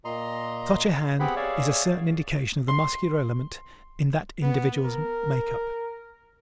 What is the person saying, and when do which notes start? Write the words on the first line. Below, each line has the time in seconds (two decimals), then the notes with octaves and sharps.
Such a hand is a certain indication of the muscular element in that individual's makeup.
0.05 A#2 D#5 A#5 C6
1.20 B3 C4 G4 G#4 F#5 B5
1.36 G#4 C#5 D5 E5 F5
2.68 C6
4.43 B3
4.85 A#4